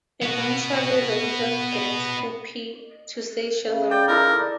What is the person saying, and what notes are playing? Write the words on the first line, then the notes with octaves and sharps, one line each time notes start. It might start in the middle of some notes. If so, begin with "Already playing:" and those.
Eventually the Wizard gets Hoppy to say Shazam!
B3 F#4
C#3
D5 G5
D#4 E4 A4 A#4
D5